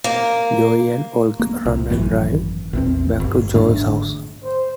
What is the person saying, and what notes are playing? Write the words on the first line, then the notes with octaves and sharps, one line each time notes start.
Joey and Oleg run and drive back to Joey's house.
A#3
A#3
C2
G#1 F#2 A2 E3
A#1 E2 C4
G1
D2 G#2 D3 D4
C5